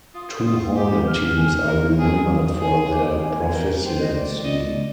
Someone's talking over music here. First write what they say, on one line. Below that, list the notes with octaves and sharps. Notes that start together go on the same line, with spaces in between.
Two Hornet teams are remembered for their proficiency.
F4 D#6
F4 D#6
G4 D6
F6
G#4
A#4
G#4 D#6
G#4
D6
G#5
A#4
C5 G5
D#5
D5
D#5